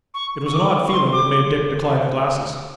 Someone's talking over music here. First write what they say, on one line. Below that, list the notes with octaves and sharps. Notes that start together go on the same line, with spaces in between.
It was an odd feeling that made Dick decline the glasses.
C#6
C#6
D6
C#6
C6
D6